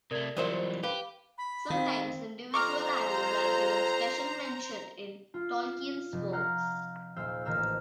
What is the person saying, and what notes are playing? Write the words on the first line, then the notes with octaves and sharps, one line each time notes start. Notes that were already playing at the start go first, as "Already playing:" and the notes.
Sometimes individual arrows are given special mention in Tolkien's works.
C3 A3 A#4 D5 G#6
F2 E3 F#3 G3 A#4 C5 D5 E5
G4 B4 F5
B5
D#3 C4 F5
F2 C5 A#5 C#6 D6 F6
F4
F1
F5 F#5 A#5 F6 G6
D#1 C5 F5 E6 G6
A1 D#3 A#4 C5 E6 F6